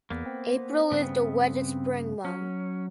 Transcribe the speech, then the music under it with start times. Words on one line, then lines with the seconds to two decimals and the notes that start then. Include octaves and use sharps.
April is the wettest spring month.
0.10 E2 A#3 B3
0.26 C4
0.91 G2 C#3 B3
2.25 F#3 C#4